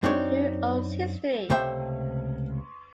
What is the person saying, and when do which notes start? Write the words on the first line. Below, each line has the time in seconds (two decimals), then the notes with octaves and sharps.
In Who Owns History?
0.03 F#2 C4 D4 D#4 C#5
1.50 C#2 C3 A3 C5 E5 G5